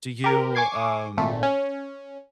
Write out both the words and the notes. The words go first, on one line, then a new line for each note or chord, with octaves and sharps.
Do you, um,
G4 A#4
G#5 C#6 D6 G#6 C7
G#1 A#2 A3
C#4